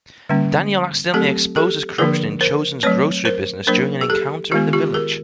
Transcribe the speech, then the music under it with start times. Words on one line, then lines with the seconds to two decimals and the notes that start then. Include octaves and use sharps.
Daniel accidentally exposes corruption in Chozen's grocery business during an encounter in the village.
0.29 D3 G3 A#3 C#4
1.13 F#3 A3 C4 G4 A4
1.56 G4 A4
1.98 D3 F3 A#3 D4 G#4 A#4
2.41 A#4 C5
2.83 F#3 A3 C4 B4 C#5
3.25 A#4 C5
3.67 F#3 A#3 D4 A#4 C5
4.01 G#4
4.10 G4 A4
4.52 D#3 G#3 B3 F4 G4
4.73 F4 G4
4.94 G#4 A#4